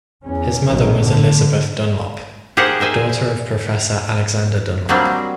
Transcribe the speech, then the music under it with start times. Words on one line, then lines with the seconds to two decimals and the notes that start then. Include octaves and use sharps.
His mother was Elizabeth Dunlop, daughter of Professor Alexander Dunlop.
0.23 E2 C#4
0.68 A#1 G2 B2 D#3 F#3
1.01 D3
2.57 G4 G#4 A#4 C5 F#5
2.80 A#4 C5 E5 G#5
4.89 F#3 G3 A#3 C4 D4